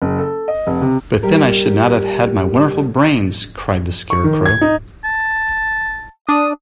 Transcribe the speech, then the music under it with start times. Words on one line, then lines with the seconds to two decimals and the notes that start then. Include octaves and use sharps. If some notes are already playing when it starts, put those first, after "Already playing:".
But then I should not have had my wonderful brains! cried the Scarecrow.
0.02 F#1
0.19 A4
0.48 D#5
0.67 F1
0.81 C3
1.23 G3 G4 A#4
4.10 C#6
4.24 D#3
4.46 G#6
4.61 D#4
5.04 A5
6.29 D4 D#6